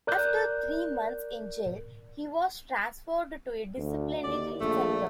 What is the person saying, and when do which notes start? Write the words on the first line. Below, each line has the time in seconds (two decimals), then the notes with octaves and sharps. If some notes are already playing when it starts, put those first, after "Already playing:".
After three months in jail he was transferred to a disciplinary centre.
0.07 A#4 D5 F#6 G6
3.77 D2
4.24 D#2 D5
4.60 A#1 A3